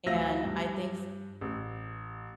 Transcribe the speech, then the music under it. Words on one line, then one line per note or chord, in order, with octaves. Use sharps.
and I think f
D2 F#3 F4 E5 A#6
G2
A1